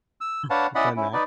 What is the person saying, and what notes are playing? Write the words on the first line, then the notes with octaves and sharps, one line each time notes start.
I've done that.
E6
D4 B4 C#5 F5 F#5 A5
C#4 E4 D5 D#5 F#5 B5
C#4 E4
D#4 B4 D5